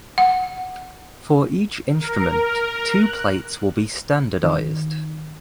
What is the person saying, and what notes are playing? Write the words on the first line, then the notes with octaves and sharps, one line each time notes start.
For each instrument two plates will be standardized.
F#5
A#4
F#6
D#3